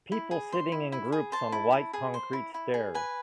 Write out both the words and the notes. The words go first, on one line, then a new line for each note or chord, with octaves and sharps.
People sitting in groups on white concrete stairs.
E4
G#4
C5
E4
E4
G#4
C5 A5
E4
E4
G#4
C5
E4
E4
G#4
B4 G#5